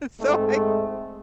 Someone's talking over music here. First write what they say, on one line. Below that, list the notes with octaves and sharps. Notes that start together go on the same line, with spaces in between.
so I
G#2 G#3 A3 C4